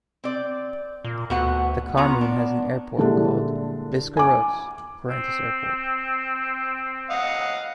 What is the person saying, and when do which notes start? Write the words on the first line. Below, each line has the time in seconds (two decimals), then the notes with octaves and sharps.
The commune has an airport, called Biscarrosse - Parentis Airport.
0.24 C4 D5
1.04 A#2
1.30 D2 B3 F#4 F#5
1.97 B3 F4 C#5 A#5
2.21 D4
2.98 A#2 D3 G3 G#3 D4 E4
4.17 G#5 D6
5.09 C4
7.10 D#5 F5 F#5